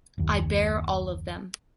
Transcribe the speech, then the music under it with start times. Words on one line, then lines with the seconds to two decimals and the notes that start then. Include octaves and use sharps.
I bear all of them.
0.18 F#1 D#2